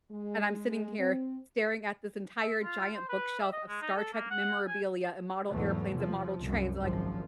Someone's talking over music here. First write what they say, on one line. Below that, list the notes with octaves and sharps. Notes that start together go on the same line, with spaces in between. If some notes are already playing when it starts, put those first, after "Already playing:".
and I'm sitting here staring at this entire giant bookshelf of Star Trek memorabilia and model airplanes and model trains like,
G#3
C4
E5
F4
C5
B4
E5
D#5
G#3
D#4
A4
A#3
F#5
G#5
E2 G#2 E3 F#3 A3
C3 F3
C2 F#2
G#1 F#2 F3